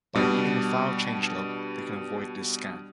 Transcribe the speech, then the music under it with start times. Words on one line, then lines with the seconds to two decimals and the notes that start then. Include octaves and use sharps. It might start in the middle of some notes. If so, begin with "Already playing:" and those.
By reading a file change log, they can avoid this scan.
0.15 B2 G3 D4